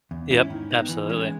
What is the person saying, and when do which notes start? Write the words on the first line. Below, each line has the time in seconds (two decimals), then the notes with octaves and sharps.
Yep, absolutely.
0.11 E2
0.31 G#2 C#4 E4
0.50 D#3
0.71 B3 D#4
0.89 E3
1.09 G#3 C#4